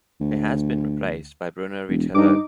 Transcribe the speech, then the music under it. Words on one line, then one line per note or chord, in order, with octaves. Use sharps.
He has been replaced by Bruno Retailleau.
D2
E1
G2 D#4 D6